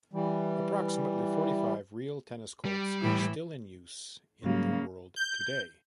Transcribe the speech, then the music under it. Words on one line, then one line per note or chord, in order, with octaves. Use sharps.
Approximately forty-five real tennis courts are still in use in the world today.
E3 G3
G3
A2 E3 E4
G#2 C#3 F#3 G3 A#3
G6